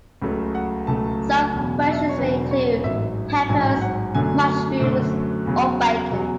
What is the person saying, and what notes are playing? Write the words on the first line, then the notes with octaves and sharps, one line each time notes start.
Some versions may include peppers, mushrooms, or bacon.
C#2 C#3 F#3 A3
F#5
C#2 C#3 F#3 A3 A5
E1 E2 C#3 F#3
E5
D5
C#5
E1 E2 C#3 F#3 B4
D5
C#5
A1 G#2 F#3 E5
A1 G#2 F#3 G#5
F#5
F#2 D3 F#3 A3 G#5
F#2 D3 F#3 A3
E2 C#3 F#3
E2 C#3 F#3